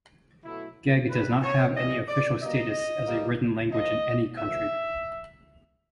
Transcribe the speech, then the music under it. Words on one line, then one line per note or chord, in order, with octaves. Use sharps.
Gheg does not have any official status as a written language in any country.
B2 F#3 A3 E4
C3 E3 G3 B4
C#5
G#2 E3 G3 A#3 D#5
D5
B2 G3 A#3 D#5
B2 G3 A#3
A#2 F3 A#3 D#5
A#2 F3 A3 E5